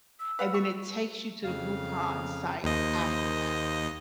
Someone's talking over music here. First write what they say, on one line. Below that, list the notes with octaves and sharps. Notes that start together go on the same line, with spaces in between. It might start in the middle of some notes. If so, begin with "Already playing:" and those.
and then it takes you to the Groupon site after that.
E6
B4 F5 F#5
C#6
F2 C#3 F5
D#2 A#3 C5 D#5